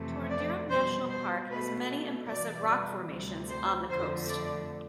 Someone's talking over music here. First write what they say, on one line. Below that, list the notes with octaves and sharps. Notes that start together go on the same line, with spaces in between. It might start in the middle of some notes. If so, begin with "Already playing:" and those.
Torndirrup National Park has many impressive rock formations on the coast.
Already playing: F2 C3 E3 A3
D5
B2 G3 C5
C5
B2 A3 B4
E2 B2 G3 D5
D2 C3 G3
C5
F2 D3 A3 C5
D5